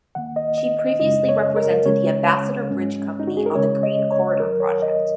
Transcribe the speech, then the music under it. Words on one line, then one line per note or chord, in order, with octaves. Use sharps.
She previously represented the Ambassador Bridge Company on the Green Corridor Project.
D#2 D#3 A#3 F#5
D#5
D#5
D#5
F#2 C#3 G#3 C#4 D#5
C#5
A#4
C#2 C#3 G#3 C#4 C#5
G#2 G#3 C#4
D#4
F#4
G#4
A#4
C#2 C#3 G#3 C#4 C#5
D#5
C#5
F#2 D#3 F#3 A#4
C#5
D#5